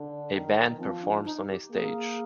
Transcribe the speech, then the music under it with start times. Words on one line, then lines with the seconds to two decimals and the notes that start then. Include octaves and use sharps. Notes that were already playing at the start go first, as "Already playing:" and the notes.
A band performs on a stage.
Already playing: D3
0.33 D#3
0.79 F3 C4
1.02 D4
1.25 D#4
1.48 G4
1.71 A#3 G#4